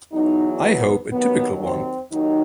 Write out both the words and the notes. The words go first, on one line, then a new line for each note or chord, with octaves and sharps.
I hope a typical one.
E2 B2 F#3 D#4
B3
D#2 D#3 F#3 B3
C4
D#2 D#3 F#3 D#4